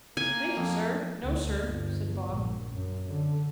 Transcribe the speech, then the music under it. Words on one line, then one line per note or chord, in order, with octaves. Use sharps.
'Thankee sir, no sir,' said Bob.
A#3 G#5
F2
D2
G1
A#1
F#2
D3